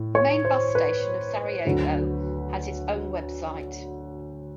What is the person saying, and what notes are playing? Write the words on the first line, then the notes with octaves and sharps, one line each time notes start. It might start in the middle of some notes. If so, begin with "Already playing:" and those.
The main bus station of Sarajevo has its own website.
Already playing: A2
C#5
C5
B4
D2 D3 F#3